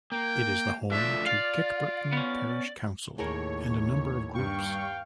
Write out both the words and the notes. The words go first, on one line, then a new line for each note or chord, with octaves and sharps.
It is the home to Kirkburton Parish Council and a number of groups.
A#3 G5
F3 A3 D4 E5
F4 D5 F5
B3 C#4
D#2 A2 G#4 A#4 C#5
G2 F5 G5 C#6